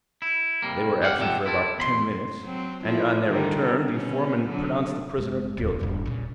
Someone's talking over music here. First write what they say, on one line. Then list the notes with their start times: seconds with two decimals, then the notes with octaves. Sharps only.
They were absent for about ten minutes, and on their return the foreman pronounced the prisoner guilty.
0.22 E4
0.62 C3 G3 A#3
1.02 G4 G#4 F5 F#5
1.18 C2 F2 F3 G4 E5 F#5
1.46 E4 F4 A4
1.78 E2 B5 C6
2.43 F#3 C4
2.84 F3 E4
3.26 D3 D#3 G3
3.86 B2 C#4
4.47 D3 F#3
5.18 F#1 G#3
5.58 D1 E2
5.81 D#1 G2
6.06 A#2 C#3